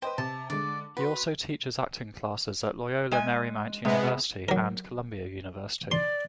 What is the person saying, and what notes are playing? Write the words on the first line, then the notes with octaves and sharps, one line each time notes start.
He also teaches acting classes at Loyola Marymount University and Columbia University.
B4 C5 D#5 G5
C3 A5
D3 G#3 D5
F#4 B4 C6
G#3 G#5
C3 G#3 B3
F#3 A#4
D5 C6